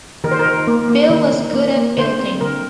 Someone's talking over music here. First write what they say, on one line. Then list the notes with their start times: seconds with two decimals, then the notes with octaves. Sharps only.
Bil was good at building.
0.24 D#3 A#4
0.31 C5
0.39 A#4
0.46 D#3
0.67 A#3
0.89 A#3
1.10 D#3
1.33 D#3
1.54 A#3
1.77 A#3
1.97 D3 C5
2.19 C4
2.41 D3 A#4